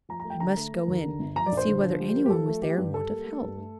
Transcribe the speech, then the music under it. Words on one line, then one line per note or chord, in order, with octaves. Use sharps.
I must go in, and see whether anyone was there in want of help.
F3 A#5
A#5
A3
G5
D3 A#5
A3
A#3
D#2
D3
G1
F3 A#5
D5
A#1
C5
D3
F3
G3
A#3
G4
F3 A4
A3
A3 G4
G2
G3 A4
A#3
A3
G2
A3